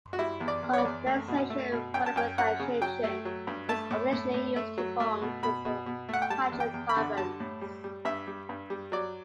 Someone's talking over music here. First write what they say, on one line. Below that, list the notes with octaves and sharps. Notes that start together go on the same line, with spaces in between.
Condensation polymerization is occasionally used to form simple hydrocarbons.
F#4
G3 E4
E2
D5
E2
C#5
D5
E2
A3
B2
A3
B2
F#2 G5
A5
F#2 G5
F#2 F#5
C#3
F#3 G5
A3
F#3
G2
A3 A5
A2
A2
A2
A3
F#3
A3
B2
B2 B5
B2
B2
A3 F#5
G5
G3 A5
E2
G5
E2
B5
D3
G3 A5
A2
G3
G3
G2 E5
G3
G2
G3
F#3 D5